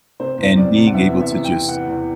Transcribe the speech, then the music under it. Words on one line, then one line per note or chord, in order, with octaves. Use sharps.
And being able to just
C3 C5
E2
C3 D5
C3
F#5
E3 E5
B3
E5
C3
G5
C3
B3 F#5
E2